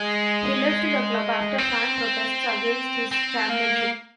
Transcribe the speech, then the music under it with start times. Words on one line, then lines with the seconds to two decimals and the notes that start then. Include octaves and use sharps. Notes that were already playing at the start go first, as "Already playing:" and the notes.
He left the club after fan protests against his chairmanship.
Already playing: G#3
1.58 C4
3.11 C4
3.49 A#3